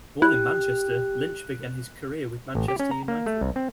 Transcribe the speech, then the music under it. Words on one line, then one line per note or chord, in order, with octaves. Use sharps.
Born in Manchester, Lynch began his career with Manchester United.
E4 G4 F#6
A1
G4
C#4
A#5
A#3
A3
C2
C4